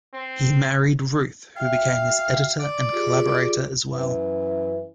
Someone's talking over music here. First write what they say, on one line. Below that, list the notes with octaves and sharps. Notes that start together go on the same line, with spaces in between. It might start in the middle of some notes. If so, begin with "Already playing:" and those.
He married Ruth, who became his editor and collaborator as well.
C4
F#4 E5 F5 G5
D5
F4 G4 G#4
F#2 E3